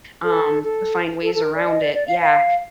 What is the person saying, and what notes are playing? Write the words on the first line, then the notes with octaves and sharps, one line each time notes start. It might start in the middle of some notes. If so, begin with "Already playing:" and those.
um, to find ways around it. Yeah.
A4
A4
A4
A4
A#4
D5
D#5
D5
D5
F5
F5